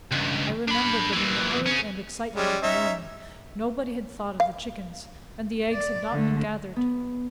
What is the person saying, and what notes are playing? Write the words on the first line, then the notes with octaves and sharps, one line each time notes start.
I remembered that in the hurry and excitement of the morning nobody had thought of the chickens, and the eggs had not been gathered.
C#2 G2
D4 B5
A#2 E3
C#3 C#4
G3 G#3 C#4
C#4 D#4 E5
F5
D5
D3 A3
B3